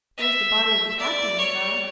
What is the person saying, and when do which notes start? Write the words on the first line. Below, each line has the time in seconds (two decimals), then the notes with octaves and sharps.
"There is the body of the captain," said I.
0.17 E5
0.99 D5
1.39 C#5